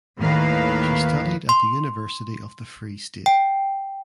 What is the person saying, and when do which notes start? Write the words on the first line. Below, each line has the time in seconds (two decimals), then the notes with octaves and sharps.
She studied at the University of the Free State.
0.20 D#2 A2 D#3 A#3 B4 F5
1.49 C6
3.26 G5